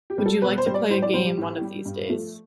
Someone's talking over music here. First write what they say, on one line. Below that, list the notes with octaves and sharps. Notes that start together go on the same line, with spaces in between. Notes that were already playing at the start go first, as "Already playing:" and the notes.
Would you like to play a game one of these days?
G4
G3
A4
B2 B4
C5
G3
D5
A2 C5
D5
G3 C5
G4
A2
G3
G2
F3 A3